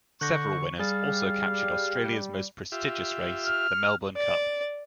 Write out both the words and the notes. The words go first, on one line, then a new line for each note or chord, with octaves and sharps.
Several winners also captured Australia's most prestigious race, the Melbourne Cup.
D3 C#6 F#6 G6 A#6
G3 G#4 F5 A6
F4 G4 E5
F6
D5